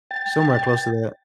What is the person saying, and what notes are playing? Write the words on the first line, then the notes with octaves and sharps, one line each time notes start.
somewhere close to that.
G5 A6